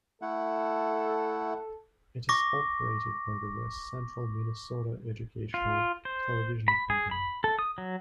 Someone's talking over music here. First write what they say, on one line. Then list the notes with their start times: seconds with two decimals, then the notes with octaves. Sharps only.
It is operated by the West Central Minnesota Educational Television Company.
0.22 A3 E4 A4 F#5
2.29 C#6 D6 A#6
5.54 F4
6.05 C5
6.68 B5
6.90 G#4
7.11 B5
7.44 A4
7.59 D#6
7.78 F#3